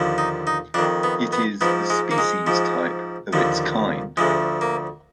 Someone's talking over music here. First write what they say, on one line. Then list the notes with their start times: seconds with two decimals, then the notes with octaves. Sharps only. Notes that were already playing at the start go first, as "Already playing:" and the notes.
It is the species type of its kind.
Already playing: D#2 D3 F3
0.18 D#4
0.47 D#4
0.74 F2 D#3 D4
1.03 B3
1.33 B3
1.61 G#2 F3 B3
1.90 G#3
2.11 A#3
2.18 G#3
2.47 G#2 F3
3.33 D#2 D3 F3
4.17 D2 D3 F3 G#3
4.61 A#3